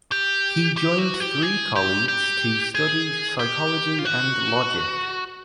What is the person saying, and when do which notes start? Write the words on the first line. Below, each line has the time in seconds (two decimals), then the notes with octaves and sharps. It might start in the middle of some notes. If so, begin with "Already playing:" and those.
He joined three colleagues to study psychology and logic.
0.12 G4
0.77 G4
0.98 F#4
1.20 G4
1.42 G#4
1.76 G4
2.08 G4
2.75 G#4
3.39 G4
3.99 F4
4.05 F#4